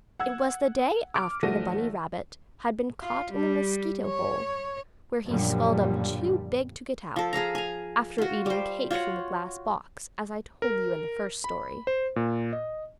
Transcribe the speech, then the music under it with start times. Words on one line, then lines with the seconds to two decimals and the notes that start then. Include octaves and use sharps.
It was the day after the bunny rabbit had been caught in the mosquito hole, where he swelled up too big to get out, after eating cake from the glass box, as I told you in the first story.
0.20 F#5 E6 G#6
1.14 D6 F6 D7
1.43 G#1 F3 A3 F#4 A#6 D#7
3.01 F4
3.32 G3
4.05 C#5
5.26 F#2 A#2 D3 F3 G3
7.16 F3 A4
7.33 G#4 A4 F5 A#5
7.55 G#5 A#5
8.18 F4 F#4
8.46 G3 C5
8.91 F4 F#4 C#5 F#5
10.62 A#4
11.44 B5
11.87 C5
12.16 A#2
12.53 D#5